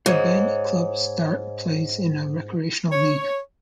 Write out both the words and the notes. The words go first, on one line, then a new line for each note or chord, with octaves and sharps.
The bandy club Start plays in a recreational league.
G#2 C#5 D#5
C#5